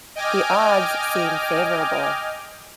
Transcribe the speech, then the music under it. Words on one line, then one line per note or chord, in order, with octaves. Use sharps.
The odds seem favourable.
D#5 G5 G#5 D6 F6